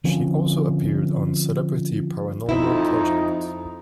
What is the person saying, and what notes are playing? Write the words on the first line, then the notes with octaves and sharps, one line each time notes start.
She also appeared on "Celebrity Paranormal Project".
D3 F3 C4 C#4
F2 C4 D#4 E4